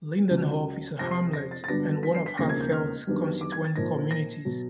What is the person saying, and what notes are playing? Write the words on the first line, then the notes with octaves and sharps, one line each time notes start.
Lindenhof is a hamlet and one of Hatzfeld's constituent communities.
C#2 C#3 F#3
F2 C3 F3 A#6
C7
A#6
A6
A6
G2 D3 F#3 B3 D4 A#6
B6
C7
B6
E1 D#2 C#3 F3 A#3 A#6
G#6
G6
F6
F#2 D#3 G3 B3 D4
D6
G#6
A6
A#2 F3 A#3 D#4 A#6
A#6
B2 F#3